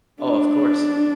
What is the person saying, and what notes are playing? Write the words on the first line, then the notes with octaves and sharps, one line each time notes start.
Oh, of course.
D4